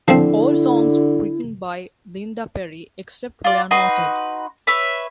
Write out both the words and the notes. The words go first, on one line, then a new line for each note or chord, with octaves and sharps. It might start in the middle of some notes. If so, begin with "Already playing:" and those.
All songs written by Linda Perry, except where noted.
D3 F3 C4 E4
F4 D5
D#4 F#4 B4 C6
B4 C#5 E5